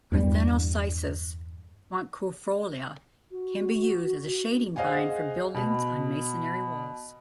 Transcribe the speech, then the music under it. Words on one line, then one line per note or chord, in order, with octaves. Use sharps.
"Parthenocissus quinquefolia" can be used as a shading vine for buildings on masonry walls.
E2 G2 G3
F#4
G#4 C5 D#5 F5 F#5 G#5
B2